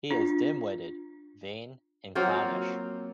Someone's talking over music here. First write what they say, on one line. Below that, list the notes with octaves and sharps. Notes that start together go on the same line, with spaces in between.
He is dim-witted, vain and clownish.
D4 F4
F#3 A#3 C4 F4